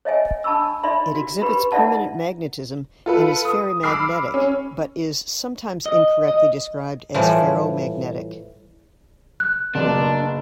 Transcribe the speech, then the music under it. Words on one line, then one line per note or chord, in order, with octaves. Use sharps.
It exhibits permanent magnetism and is ferrimagnetic, but is sometimes incorrectly described as ferromagnetic.
C#5 D#5 E5 G#5
D4 A5 B5 C#6 E6
D#4 D5 E5 B5 C6
F#4
G4 B4 B5 C6
D#4 E4 D5 E5 F#5 A5
F4 A4 B4
D#6
B5 D6 E6 F6 C7
C#4
D#5
D#5
A2 E3 F3 G3
F#6
F#1 G2 B2 D4 A#4